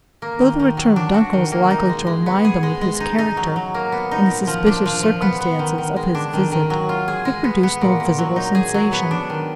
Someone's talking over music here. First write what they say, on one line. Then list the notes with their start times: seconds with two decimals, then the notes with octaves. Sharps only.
Though the return of Duncan was likely to remind them of his character, and the suspicious circumstances of his visit, it produced no visible sensation.
0.22 A#3
0.40 D#3
0.60 D#3
0.77 F#3
0.96 D4
1.14 F#4
1.33 D#3
1.52 A#3
1.71 D#4
1.89 G#3
2.07 G#3
2.26 B3
2.45 G#4
2.63 G#3
2.81 G#3
3.00 D#4
3.18 D#4
3.37 F#3
3.56 F#3
3.74 A#3
3.92 B3
4.11 D#4
4.29 A#2
4.47 F3
4.66 D4
4.86 F3
5.03 F3
5.22 B3
5.40 B3
5.59 D#3
5.78 D#3
5.96 G#3
6.15 D4
6.33 D#3
6.52 D#3
6.70 F#3
6.89 F4
7.08 G#4
7.25 G#3
7.44 B3
7.63 B3
7.81 A#2
8.00 A#2
8.18 F#3
8.36 D#4
8.55 G#4
8.74 F#3
8.93 B3
9.11 D4
9.30 D#3